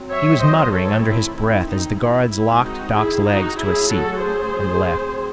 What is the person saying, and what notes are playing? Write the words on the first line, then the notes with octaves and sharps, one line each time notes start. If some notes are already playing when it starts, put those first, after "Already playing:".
He was muttering under his breath as the guards locked Doc's legs to a seat and left.
Already playing: F#3 C4
C#5 E5
C5 D#5
A4 C#5
D#3 A3 C4 E4
E4
D#4
E4
D#3 G#3 C4 E4
D#4 F#4
E4 G#4
D#4 F#4
F#3 A3 C#4 E4 G#4
F#4 A4
G#4 C5
F#3 A3 C4